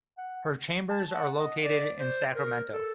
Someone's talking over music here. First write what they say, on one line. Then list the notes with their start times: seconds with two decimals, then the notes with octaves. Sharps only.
Her chambers are located in Sacramento.
0.18 F#5
0.90 A5
1.14 F#5
1.39 D#5
1.64 D5
1.99 C5
2.36 A#4
2.73 A4